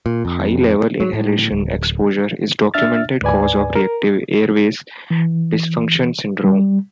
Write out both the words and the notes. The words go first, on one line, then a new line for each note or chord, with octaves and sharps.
High-level inhalational exposure is a documented cause of reactive airways dysfunction syndrome.
A#2
F2
F#3
A2
D1
D4 E5 F6 A6
D2 G#2 B4 D5 G#5
A#4
E3
G3